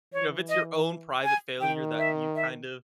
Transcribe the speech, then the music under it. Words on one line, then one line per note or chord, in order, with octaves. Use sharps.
you know, if it's your own private failure that you kind of
E3 C#5
D#5
G#5
D#3 G5
E5
E5